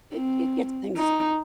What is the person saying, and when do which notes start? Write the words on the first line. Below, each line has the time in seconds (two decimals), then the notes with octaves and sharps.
it it gets things
0.15 C4
0.96 D#4